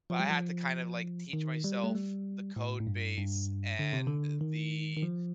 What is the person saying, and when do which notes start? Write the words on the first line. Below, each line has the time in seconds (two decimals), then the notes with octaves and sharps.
but I had to kinda, like, teach myself the code base and the
0.10 F3
0.20 G3
0.30 F3
1.33 D#3
1.64 G3
1.84 A3
1.95 G3
2.56 A2
2.80 A2
2.87 G2
3.18 G2
3.79 D3
3.93 C3
4.07 D3
4.41 D#3
4.97 D#3
5.03 F3